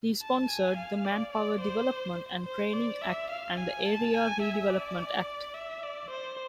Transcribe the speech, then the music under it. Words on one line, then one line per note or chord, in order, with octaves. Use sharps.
He sponsored the Manpower Development and Training Act and the Area Redevelopment Act.
A5
G#5
F5
D5
D5
C5
C5
D5
E5
F5
G#5
A5
G#5
E5
D5
E5
D5
C5